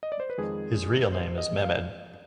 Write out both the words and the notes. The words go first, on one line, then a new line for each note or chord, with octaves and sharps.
His real name is Mehmed.
D#5
D5
C5
B4
F2 D#3 G#3 G#4
C5
D#5
F5